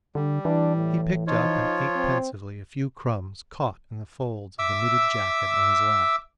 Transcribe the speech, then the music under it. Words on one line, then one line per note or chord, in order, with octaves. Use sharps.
He picked up and ate pensively a few crumbs caught in the folds of the knitted jacket on his lap.
D3 G3
E3 D4
A2
F3 D#4 F4 C#5
C4
E5 D6 E6